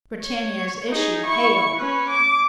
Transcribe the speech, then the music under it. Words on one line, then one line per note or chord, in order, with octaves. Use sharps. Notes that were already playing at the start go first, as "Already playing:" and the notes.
Britannia's issue, hail!
C#5
D#4 G#4
E4 C#6
C#4 B4
D6